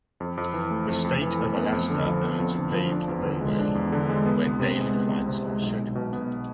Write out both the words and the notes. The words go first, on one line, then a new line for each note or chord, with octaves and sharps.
The state of Alaska owns a paved runway, where daily flights are scheduled.
F2
F2
E3
A3
F2
F2
E3
A3
B3
F2
D3
F3
B3
F2
D3
F3
D4
E2
D3
G#3
D4
E2
D3
G#3
B3
C2
C3
G#3
B3
C2
C3
G#3
B1
B1
B2
B3